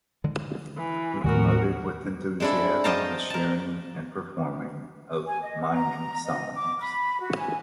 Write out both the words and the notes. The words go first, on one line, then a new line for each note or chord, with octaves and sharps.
He promoted with enthusiasm the sharing and performing of mining songs.
D3 D#3 G#3
E3
D#2 A2 D3 G3 A3 F#4 A#4
G#3 C4 D4 E4 A4
C5 D#5 F5 G5 A5 A#5
A#4 A5
G#5
D#5
A#5
D#5
D6
B5
F#4
G#5